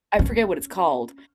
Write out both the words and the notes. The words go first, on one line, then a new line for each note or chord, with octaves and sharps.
I forget what it's called,
C#4